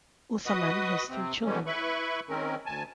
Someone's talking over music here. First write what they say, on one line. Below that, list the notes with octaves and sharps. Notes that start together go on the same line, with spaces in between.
Uthaman has three children.
F#4 B4 D#5 D#6
C3 C4
B2 D3 E3 G3 G#3 C#4
E4 B4 B5 C#6
D#3 G#3 C4 C#4 A#4
D2 G#5 A5